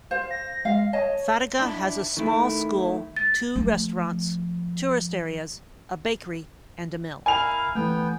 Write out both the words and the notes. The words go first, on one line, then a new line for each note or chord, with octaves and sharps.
Fataga has a small school, two restaurants, tourist areas, a bakery and a mill.
C5 F5
A#6
G#3 F5
C#5 D#5 A5
D4 E4
D#3 A3 E4
A6
F3 A3
E4 A#4 F5 G#5 F7
E3 A3 B3 G5